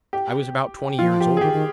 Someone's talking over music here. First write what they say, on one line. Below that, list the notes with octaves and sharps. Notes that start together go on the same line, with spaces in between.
I was about twenty years old.
G4
F3 F4
G4
G#4
D#3 G4
D#3